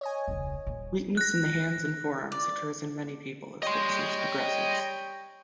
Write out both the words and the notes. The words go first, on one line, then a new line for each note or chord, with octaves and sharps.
Weakness in the hands and forearms occurs in many people as the disease progresses.
C#5 D#5 G#5
E1 C#2
D#1 A#2
F#6 A#6
D5
G3 C#5 D#5 G5 C6